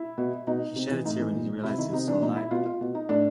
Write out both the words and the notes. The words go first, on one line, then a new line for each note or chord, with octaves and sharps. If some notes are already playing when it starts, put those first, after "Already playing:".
He shed a tear when he realized he was still alive.
Already playing: E4
B2
B2 D#4
C3
E3
A2 D#4
E3
A#2
C3 E4
D#3 E4
C3 D#4
E3 D4
A#2 D#4
E4
B2 F4
F4
B2
D#4
A2 D4